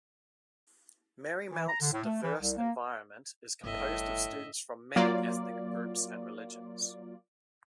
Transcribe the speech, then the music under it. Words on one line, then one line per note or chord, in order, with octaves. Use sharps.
Marymount's diverse environment is composed of students from many ethnic groups and religions.
E3
A#5
D3
A2
A3
E3
C2
A#3
G1 A2 D#5 E5
F#3 A#3 F4 D5